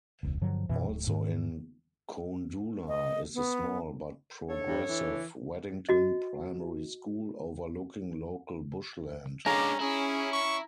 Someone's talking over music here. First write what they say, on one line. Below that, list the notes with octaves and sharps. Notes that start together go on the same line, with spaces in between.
Also in Koondoola is the small but progressive Waddington Primary School, overlooking local bushland.
E1 C#2
G2 D3 F3 F#3
F#2 B2 E3
D1
G#2 D#3
D#5
B3
D4 A4 C#5
G2
E3
F#4 D#5
G#3 C#4 D4 A#5 D6
C#4 E4 G#4
C#6